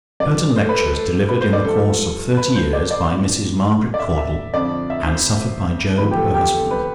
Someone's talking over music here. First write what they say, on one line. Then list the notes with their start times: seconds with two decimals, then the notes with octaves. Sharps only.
"Curtain Lectures delivered in the course of Thirty Years by Mrs. Margaret Caudle, and suffered by Job, her Husband."
0.20 G2 F3 D5
0.56 C5
0.63 A4
0.69 B4
0.80 A4
0.93 A4
1.29 B4
1.41 C5
1.53 D5
1.65 G2 F3 A4
2.37 B4
2.55 C5
2.73 D5
2.91 D5
3.10 A2 F3
3.94 D5
3.99 E5
4.18 E5
4.54 F2 D3 F3 D5
4.90 E5
5.08 C5
5.98 E2 D3 F3 B4
6.11 G4
6.16 A4
6.34 G4
6.52 A4
6.71 B4